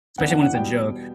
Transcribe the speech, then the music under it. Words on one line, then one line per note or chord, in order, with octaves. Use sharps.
especially when it's a joke.
E2 C#3 E3 B3 D4 F#5
F#5
F#5
B2 G3 B3 G5